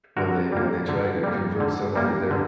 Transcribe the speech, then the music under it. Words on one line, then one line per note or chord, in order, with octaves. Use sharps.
when they when they try to convert someone to their
D3 F#4 A#4
G3 A#3
D3
G3 A#3
D3
G3 A#3
D3